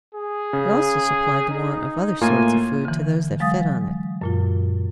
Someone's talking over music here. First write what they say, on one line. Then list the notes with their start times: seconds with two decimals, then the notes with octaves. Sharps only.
It also supplied the want of other sorts of food to those that fed on it.
0.15 G#4
0.53 C#3
1.50 D#4
2.21 A2 A#3 F4 G#5
2.85 D3 E3
3.40 F#3 G#3 F5 D#6 A6
4.21 F#2 A#2 F4